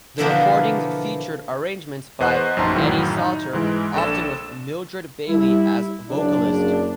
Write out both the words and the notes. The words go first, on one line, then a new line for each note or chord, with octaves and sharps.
The recordings featured arrangements by Eddie Sauter, often with Mildred Bailey as vocalist.
B2 D3 E3 F3 A#3 B3
E2 B4 C5 D#5 F#5 F#6
A#1 F#2 D#4 A5 C6
C#2 F#2 A2 D#3 E3 F#3
D#4
G#2 E3 G#3
A#1 D4 A4 E7
G3 E4
F#1 D4